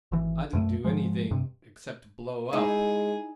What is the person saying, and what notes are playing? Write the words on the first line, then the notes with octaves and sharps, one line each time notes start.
"I didn't do anything--except blow up."
G#1 E3
B1 F#2 A3
G#2 F3 G#3
G2 C3
G#3 D#4 E4 G#4